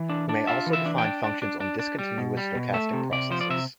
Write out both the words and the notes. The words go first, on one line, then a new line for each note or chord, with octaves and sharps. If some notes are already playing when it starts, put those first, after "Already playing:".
We may also define functions on discontinuous stochastic processes.
Already playing: E3
D4
D4
F4 E5
E3
E5
D4
G5
D4
D4
D4
D4
D4
G3
B2
G3
B2
A3 E5
C3
C3 D5
F3 C5
D5
C3 E5